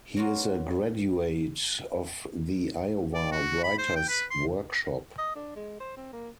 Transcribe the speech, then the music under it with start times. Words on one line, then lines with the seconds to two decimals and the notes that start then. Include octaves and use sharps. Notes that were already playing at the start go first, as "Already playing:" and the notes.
He is a graduate of the Iowa Writers Workshop.
0.16 F#3 A#3 B3 F4 F#4
3.14 D5
3.32 F#4
3.64 B5
3.79 C5
3.96 G5
4.09 B4
4.31 C6
5.18 D#5
5.36 D4
5.56 G#3
5.80 C5
5.97 C4
6.13 A#3